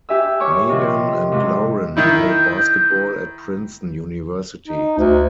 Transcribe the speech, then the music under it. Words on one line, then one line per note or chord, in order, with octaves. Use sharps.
Meagan and Lauren played basketball at Princeton University.
G4 E5 G#5 E6
C#5 C#6 D6 F6
C3 D#3 F3 C4
G#2 C3 F3
D#3 D#4 E4 G6
D#4
D2